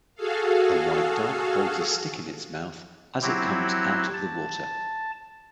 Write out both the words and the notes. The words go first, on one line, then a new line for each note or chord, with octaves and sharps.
A white dog holds a stick in its mouth as it comes out of the water.
F#4 G#4 A4 F5
F#3 C4 E4 F#4 G4
A5